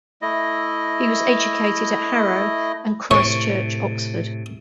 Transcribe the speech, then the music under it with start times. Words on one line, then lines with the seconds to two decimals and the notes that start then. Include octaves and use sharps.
He was educated at Harrow and Christ Church, Oxford.
0.22 A3 E4 D#5
3.11 A2 C3 C#5